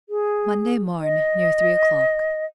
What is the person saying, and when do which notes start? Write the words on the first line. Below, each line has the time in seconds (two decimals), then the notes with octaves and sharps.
'Monday morn, near three o'clock.'
0.09 G#4
1.02 D#5